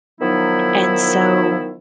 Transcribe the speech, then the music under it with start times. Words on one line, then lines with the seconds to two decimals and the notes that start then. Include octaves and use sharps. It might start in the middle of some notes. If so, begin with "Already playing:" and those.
and so,
0.20 D#3 F3 F#3 B3 D#4 E4